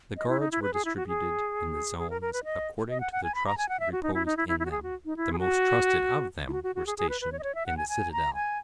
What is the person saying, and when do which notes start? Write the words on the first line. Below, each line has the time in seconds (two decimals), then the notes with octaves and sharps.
The guards were distributed in the zones according to the trust reposed in them; the most trusted of them were stationed in the citadel.
0.17 D#5
0.28 E4
0.40 D#4
0.51 E4
0.62 B4
0.74 G#4
0.85 E4
0.96 F#4
1.08 G#4
1.99 G#4
2.10 A#4
2.21 A#4
2.33 B4
2.44 D#5
2.89 D#5
3.00 F#5
3.12 F#5
3.24 G#5
3.35 B5
3.46 A#5
3.58 G#5
3.69 F#5
3.80 E5
3.92 F#4
4.03 D#4
4.14 E4
4.26 D#4
4.37 E4
4.48 E4
4.59 E4
4.65 F#4
4.71 G#4
4.82 F#4
5.05 D#4
5.17 E4
5.33 G#4
5.39 F#4
6.49 E4
6.53 F#4
6.64 F#4
6.75 F#4
6.87 G#4
6.98 G#4
7.09 B4
7.21 B4
7.32 C#5
7.39 D#5
7.43 C#5
7.55 E5
7.66 F#5
7.77 G#5
7.89 G#5
8.12 A#5
8.34 G#5